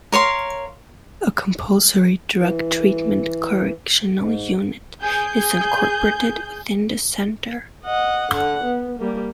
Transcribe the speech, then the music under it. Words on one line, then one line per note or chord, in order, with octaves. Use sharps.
A Compulsory Drug Treatment Correctional unit is incorporated within the Centre.
A#4 C#5 F5 C6
E3
G#2
G#4 G6
D#5 F#5
D3 F#5
B3
G3 A#3